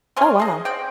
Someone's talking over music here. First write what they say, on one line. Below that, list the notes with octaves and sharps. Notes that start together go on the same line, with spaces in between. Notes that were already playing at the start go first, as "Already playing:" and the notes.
Oh, wow.
A3 C#4 G#5 C6
G#4 D#5
C4 D5 G5